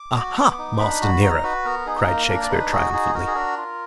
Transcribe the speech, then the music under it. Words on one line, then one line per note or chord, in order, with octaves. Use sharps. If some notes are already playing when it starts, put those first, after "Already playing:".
"Aha, Master Nero!" cried Shakespeare triumphantly.
Already playing: D6
F#4
B3
D#4
D4 B5
F#4
D#4 A#5
F#4 B4
B3 A#4
D#4 G#4
G#4
A#3 A#4
D4
D5
D#4 B4
F#4 G#4
D#4 G#4
F#4 A#4
G#4
D4 A#4
F4